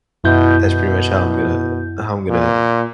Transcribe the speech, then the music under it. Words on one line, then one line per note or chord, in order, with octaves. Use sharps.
that's pretty much how I'm gonna how I'm gonna
F#2 B2 E4 G6
B2
A#2